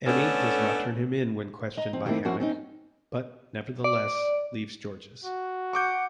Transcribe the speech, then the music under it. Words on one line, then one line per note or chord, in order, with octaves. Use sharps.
Emmy does not turn him in when questioned by Hammock, but nevertheless leaves Georges.
A3 B3 C#4 D4 A4
D#5 A#5
F3 C4
D#3 G3 A3 A#3 C4 E4
F3 A#3 C#4 E4 F#4
C4 C#4 D#4
D5
F#4
F#5 C#6 D6 G6